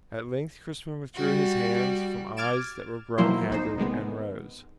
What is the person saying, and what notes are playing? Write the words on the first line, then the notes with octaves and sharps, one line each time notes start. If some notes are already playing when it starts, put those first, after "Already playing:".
At length Crispin withdrew his hands from eyes that were grown haggard, and rose.
G3 F#4
D6 F6 G#6 A6 D7 E7
D#3 F3 F#3 A#3 E4 C5
B1 D#4 C5
C3 D#3 G#3 B3